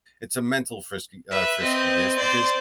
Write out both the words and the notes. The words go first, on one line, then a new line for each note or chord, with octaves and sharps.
it's a mental frisky uh, friskiness because
B4 E5
C4 D#5
C5 D5